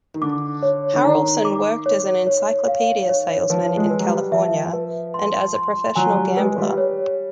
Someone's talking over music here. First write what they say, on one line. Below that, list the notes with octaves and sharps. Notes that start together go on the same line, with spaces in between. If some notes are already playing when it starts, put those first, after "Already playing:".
Harrelson worked as an encyclopedia salesman in California and as a professional gambler.
D#3
D3 D6
C#5
D3
D#3 A#5
D6
C#5
C#5
F5
C#5
F3 B4
G#3
B4
F#3
G3
F3 E5
B4
C6
C6
F#3 G#5
G3
G#3 B4
G3
C#5